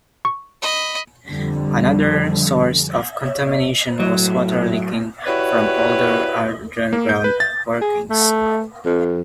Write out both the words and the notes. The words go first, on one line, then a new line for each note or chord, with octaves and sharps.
Another source of contamination was water leaking from older underground workings.
C#6
D#5 B5
F2 D3 G3
C#5
A2 F#3
E4 F#4 G4 B4 C#5 D5
A#3
G6
B4
A6
G#4
A3
F2